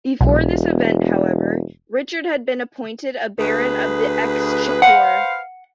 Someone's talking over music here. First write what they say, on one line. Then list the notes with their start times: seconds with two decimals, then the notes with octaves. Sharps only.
Before this event, however, Richard had been appointed a baron of the exchequer.
0.21 E1 B1
3.39 D2 G#4 B4
4.82 B4 C5 F5 F#5